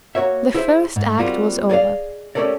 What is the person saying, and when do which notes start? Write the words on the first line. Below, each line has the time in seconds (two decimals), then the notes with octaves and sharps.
The first act was over.
0.15 A#3 F#4 C#5 E5
0.54 E4 G#4 C5 E5
0.96 G#2
1.19 G3 A#3 C4 F4 F#4 G#4
1.70 G#4 D5 D#5 F5
2.35 A3 C#4 G4 A4 A#4 D5